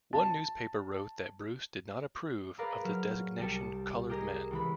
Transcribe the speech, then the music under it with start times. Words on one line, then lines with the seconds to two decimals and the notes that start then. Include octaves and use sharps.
One newspaper wrote that Bruce did not approve of the designation colored men.
0.13 A5
2.58 G#4 A#4 B4 D5 F5
2.84 F#3 F6
3.38 C2 G3 G5 A5 C#7
4.10 G4 G#4 A#4 D#5
4.51 C#2 E3 B5